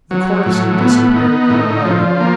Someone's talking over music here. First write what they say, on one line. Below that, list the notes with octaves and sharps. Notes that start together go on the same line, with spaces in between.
The courtesan disappeared little by little.
F#3
A2
B3
D#4
A2
F3
A#3